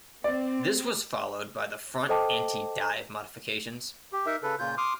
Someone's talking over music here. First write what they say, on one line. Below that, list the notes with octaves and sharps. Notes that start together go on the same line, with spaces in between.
This was followed by the front anti-dive modifications.
C4 D5
A4 C5 D#5 G5 A5 D6
G4
D#4 A#4 E5
C#3 A4 B4
A#2 C#3 F4 G6
C6 D6 D#6 F6